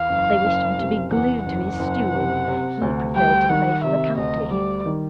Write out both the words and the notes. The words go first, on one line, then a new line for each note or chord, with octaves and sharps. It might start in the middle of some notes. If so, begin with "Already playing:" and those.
They wished him to be glued to his stool; he preferred to play for the county.
Already playing: E2 F5
F#1
F#1
C3
E2 F#5
F#1 F#5
F#1
C3
C3
D2
G3 G5
D#3 F#5
C3 E5
D2 D#5
G3 D5
D#3